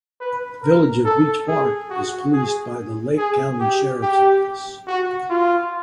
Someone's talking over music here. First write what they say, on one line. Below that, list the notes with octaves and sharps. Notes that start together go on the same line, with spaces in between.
The village of Beach Park is policed by the Lake County Sheriff's Office.
B4
A#4
A4
G#4
F#4
G#4
G#4
G4
G4
F#4
F4